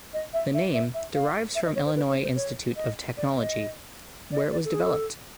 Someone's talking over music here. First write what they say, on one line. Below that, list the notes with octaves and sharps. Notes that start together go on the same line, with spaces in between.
The name derives from Illinois Institute of Technology, where it was developed.
D#5
E5
E5
E5
E5
F5
E5
D#5
C#5
C5
B4
C#5
C5
C#5
D#5
D5
D#5
D5
D#5
D5
A4
G#4
A4